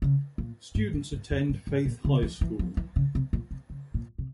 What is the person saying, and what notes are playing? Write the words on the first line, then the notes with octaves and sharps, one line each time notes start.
Students attend Faith High School.
C#3
A#2
G#2
G2
G2
F2
G2
G#2
A#2
C#3
E3
E3
F3
E3
C#3
C3
A#2
C3
C#3
A#2
C3